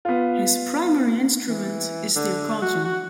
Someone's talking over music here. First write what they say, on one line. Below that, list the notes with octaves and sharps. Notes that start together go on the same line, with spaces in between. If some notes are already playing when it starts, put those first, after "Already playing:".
His primary instrument is the accordion.
B3 F4
E3
D3
F#4
F#4